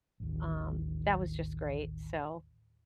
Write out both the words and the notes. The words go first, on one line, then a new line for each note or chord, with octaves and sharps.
um, that was just great, so
A1 D#2